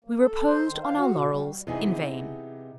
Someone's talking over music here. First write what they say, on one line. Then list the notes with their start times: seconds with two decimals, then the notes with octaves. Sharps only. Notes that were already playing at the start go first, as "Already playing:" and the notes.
We reposed on our laurels--in vain.
0.04 A#3
0.19 A4
0.46 C5
0.67 D#3
0.83 F5
0.97 F#4
1.14 B2
1.32 G3
1.67 C3 E3 B3 D#4 G#4